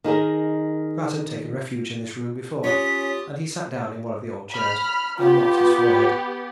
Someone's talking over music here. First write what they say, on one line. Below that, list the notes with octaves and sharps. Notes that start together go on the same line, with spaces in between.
Pratt had taken refuge in this room before, and he sat down in one of the old chairs and mopped his forehead.
D#3 D#4 G#4 A#4
C#4 F4 G4 C#5 D#6 B6
B5 F6
B3 F4 G4